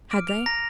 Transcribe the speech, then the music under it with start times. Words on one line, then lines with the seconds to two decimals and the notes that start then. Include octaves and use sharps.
Had they?
0.11 D6 F6 D7
0.28 F7
0.46 A#5 A#6